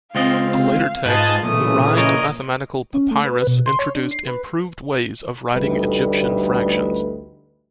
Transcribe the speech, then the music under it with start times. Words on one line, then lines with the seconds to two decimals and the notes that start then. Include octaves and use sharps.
A later text, the Rhind Mathematical Papyrus, introduced improved ways of writing Egyptian fractions.
0.15 C#2 C4 F4 D#5 F5
1.06 G#2 F4 B4 D#5 G#5 A5
1.43 B1 A#2 C#3 E3 A3 D#6
1.97 A#4 C#5 D#5
2.94 C#4
3.11 A3
3.24 B4
3.47 B2
3.66 C6
3.79 C#5
3.95 D4
4.11 C7
4.27 B4
5.54 A1 D2 G3 A3 D#4 B4